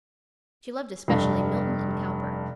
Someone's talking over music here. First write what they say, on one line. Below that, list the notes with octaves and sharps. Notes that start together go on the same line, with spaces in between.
She loved especially Milton and Cowper.
F1 G2